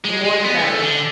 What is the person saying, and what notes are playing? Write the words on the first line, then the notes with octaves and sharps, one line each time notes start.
The more the better.
G#3
G#3
B3
B3
A3
D3